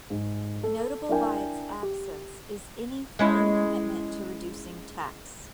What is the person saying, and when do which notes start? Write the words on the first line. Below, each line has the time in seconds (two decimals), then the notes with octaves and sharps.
Notable by its absence is any firm commitment to reducing tax.
0.10 G#2
0.63 A4
1.09 D4 E4 A#4 G5 G#5
1.83 G4
3.19 G#3 C#4 E4